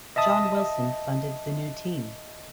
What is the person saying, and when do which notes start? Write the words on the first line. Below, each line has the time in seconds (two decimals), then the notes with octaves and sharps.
John Wilson funded the new team.
0.16 D#5 E5 A5 D#6